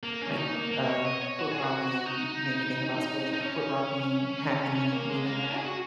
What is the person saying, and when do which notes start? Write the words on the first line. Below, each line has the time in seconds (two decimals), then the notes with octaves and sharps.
like, a football game you made me think about sports, like, a football game happening, and
0.03 A#3
0.21 C#4
0.32 C#4
0.38 D#4
0.55 A#3
0.71 A#3
0.89 C#5
1.05 D#5
1.21 C#5
1.39 F#4
1.51 G#4
1.63 F#4
2.06 D#4
3.33 D#4
3.40 C#4
4.75 C#4
4.92 A#3
5.10 G#3
5.26 A#3
5.44 C#4
5.56 G#4
5.66 F#4